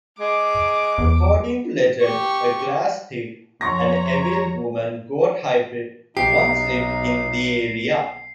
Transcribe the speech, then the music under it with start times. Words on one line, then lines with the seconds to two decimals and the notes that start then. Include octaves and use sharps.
According to legend a glaistig, an evil woman-goat hybrid, once lived in the area.
0.19 G#3 D6
0.98 E2
2.01 G4 C#6
3.61 F2 C#5 A#5 C6 C#6 A#6
6.17 B1 D#4 G4 C7